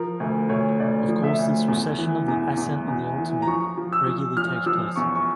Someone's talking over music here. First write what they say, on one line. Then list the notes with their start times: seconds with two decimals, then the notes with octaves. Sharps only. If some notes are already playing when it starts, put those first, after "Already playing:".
Of course this recession of the accent on the ultimate regularly takes place.
Already playing: F3 A#4
0.20 D2
0.49 D2 C#5
0.80 D2 D5
1.09 F3
1.23 E5
1.39 D2
1.68 E2
1.99 E3
2.28 E2
2.57 E2
2.88 E2
3.18 E3
3.42 A#5
3.47 F3 C#6
3.78 F3
3.93 E6
4.07 F3
4.37 F3 F6
4.66 F3 E6
4.96 E2 C#6
5.15 C#6